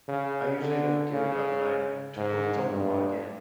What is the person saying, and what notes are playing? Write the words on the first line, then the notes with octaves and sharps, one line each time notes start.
I usually don't give up, and I don't don't log in.
C#3
D3
C#3
G#2
G2